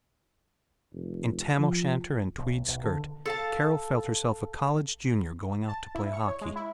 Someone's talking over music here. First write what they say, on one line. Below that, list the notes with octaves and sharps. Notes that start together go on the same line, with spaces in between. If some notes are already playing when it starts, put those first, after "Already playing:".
In tam o'shanter and tweed skirt Carol felt herself a college junior going out to play hockey.
F1
F3
B1
B1
D3
A4 F5 A5
A5
E4
C#6
C#5
G#3
E4